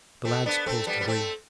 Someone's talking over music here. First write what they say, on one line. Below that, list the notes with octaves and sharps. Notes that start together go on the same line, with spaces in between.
The lads paused to breathe.
A3 C4
B3 D4
A3 C4
G3 B3
B3
A3 C4